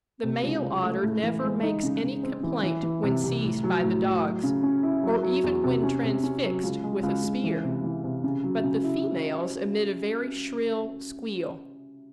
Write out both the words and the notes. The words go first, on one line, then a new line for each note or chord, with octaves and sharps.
The male otter never makes any complaint when seized by the dogs, or even when transfixed with a spear, but the females emit a very shrill squeal.
C3
C#2
C#2
A3
A2
E3
G#3
D#4
C#3
C#3
C4
E3
E3
E3
C3
C2
A2
F#3
A2
A2
F#3
C#3
C#4
E4
F#3
F#3
E2
C3
C#4
C3
C#4
F#3
C#2
G#3
C#2
C#2
E3
C3
E3
C3
C#3
F#3
C#3
E4